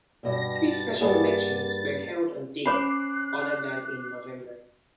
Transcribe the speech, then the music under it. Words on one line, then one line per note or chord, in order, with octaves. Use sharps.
Three special elections were held on dates other than in November.
G2 B2 A#6
A6
G2 A#3 G4 G#4 F#5
C#4 C5 C#5 B5 D6 F#6 C7 E7